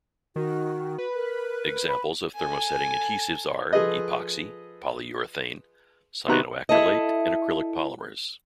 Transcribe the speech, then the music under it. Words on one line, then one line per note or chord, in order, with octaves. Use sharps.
Examples of thermosetting adhesives are: epoxy, polyurethane, cyanoacrylate and acrylic polymers.
D#3 F#4
B4
A#4
B5
A4 G#5
F3 G#4 A4 B4 D#5
C3 D#3 B3 F#4 A#5 F#6
E4 A4 D#5